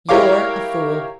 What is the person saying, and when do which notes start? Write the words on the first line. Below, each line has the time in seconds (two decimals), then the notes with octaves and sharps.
You're a fool.'
0.09 E4 G4 A#4 C#5 F5 D6